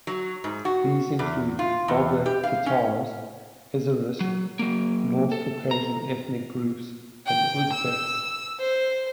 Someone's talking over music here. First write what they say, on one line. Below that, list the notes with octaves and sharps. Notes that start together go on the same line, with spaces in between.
These include Volga Tatars, Azeris, North Caucasian ethnic groups and Uzbeks.
F#3
G#2
F#4
E2
F4
E2
G4
F5
C#4
F#3
F#3 A#3
A4
A#5
G5
E6
C5